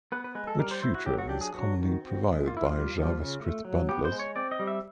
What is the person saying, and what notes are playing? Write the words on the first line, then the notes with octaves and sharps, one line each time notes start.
Which feature is commonly provided by JavaScript bundlers?
B3 B4
B4
G#3 B4
A4
G3 A#4
C5
E4 C5
F#4
F#3 G4
F#4
D4 G4
G#4
F#3 F#4
D#3
C4
G#3
A#3 F4
E4
G3 F4
F3
C#3
A3
F#3
B3 G4
C5
G#3
C#5
C4 D5
D#5
G3
E5